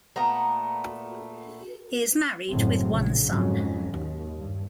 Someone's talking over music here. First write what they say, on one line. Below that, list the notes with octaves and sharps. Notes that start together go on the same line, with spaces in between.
He is married with one son.
A#2 A3 B3 A#5
F#1 A2 C#3 F#3 C4
A#1 C#3
F2 G#2 F#3 C#4
D#2
G2